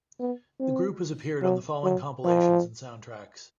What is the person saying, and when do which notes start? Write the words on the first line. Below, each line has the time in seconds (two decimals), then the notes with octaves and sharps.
The group has appeared on the following compilations and soundtracks.
0.19 B3
0.60 C4
1.42 F#3
1.83 F#3
2.24 F3